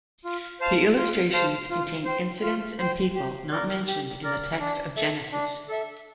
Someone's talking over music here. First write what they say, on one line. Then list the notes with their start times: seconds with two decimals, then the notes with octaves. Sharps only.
The illustrations contain incidents and people not mentioned in the text of Genesis.
0.25 F4
0.60 C5 F5 A5
0.97 F4
1.33 C5 F5 A5
1.70 F4
2.05 C5 G5
2.42 F4
2.78 C5 G5
3.15 G4
3.51 A#4 D5
3.87 G4
4.23 A#4 D5
4.60 D4
4.97 A4 E5
5.32 D4
5.68 A4 E5